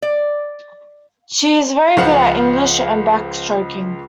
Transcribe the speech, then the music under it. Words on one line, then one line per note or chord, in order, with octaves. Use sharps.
She is very good at English and backstroking.
D5
C#2 F3 C5 F5 F#5